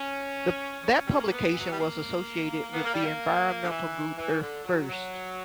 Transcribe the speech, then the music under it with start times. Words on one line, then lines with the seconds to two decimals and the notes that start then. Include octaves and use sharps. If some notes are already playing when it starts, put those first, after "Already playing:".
That publication was associated with the environmental group Earth First!
Already playing: C#4
0.84 C#4
1.05 G3
1.18 A#3
1.31 B3
1.51 E3
1.60 F#3
1.70 G3
1.79 A#3
2.74 B3
2.84 A#3
2.93 G3
3.04 A#3
3.61 D3
3.69 E3
4.18 E3
4.41 D3
4.65 F#3
4.89 F#3